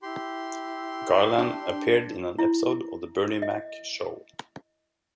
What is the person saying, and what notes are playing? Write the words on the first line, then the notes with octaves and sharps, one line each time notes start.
Garland appeared in an episode of The Bernie Mac Show.
E4 G4 C6
D4
E4
D#5